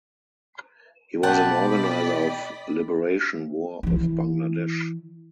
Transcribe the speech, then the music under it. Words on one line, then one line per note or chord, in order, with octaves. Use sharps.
He was an organizer of Liberation War of Bangladesh.
B2 D5 D#5 F#5 G5 A5 B5
E3 E4